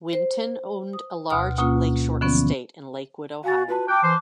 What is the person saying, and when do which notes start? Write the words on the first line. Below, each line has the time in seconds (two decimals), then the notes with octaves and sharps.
Winton owned a large lakeshore estate in Lakewood, Ohio.
0.13 C5
0.93 D#6
1.30 D2 B2 C6 D#6 F6
1.58 D2 B2 A#3 C#4 F4
2.21 D3 E3 F3 B3 C#4
3.44 F#4 F5 G#5 A6
3.68 F4 F#4 B4 A5
3.88 G5 A5 D6 F6 F#6
4.02 E3 C5